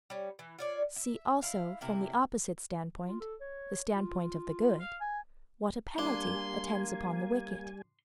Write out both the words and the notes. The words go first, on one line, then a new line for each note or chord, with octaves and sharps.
'See, also, from the opposite standpoint--the standpoint of the good--what a penalty attends upon the wicked.
G3 C#4
E3
F4 C#5 D5
E5
E4 F5
C3 A#3 E4
F4
A4
C#5
F4
F5
G#5
G3 A#3 D4 G#5 C6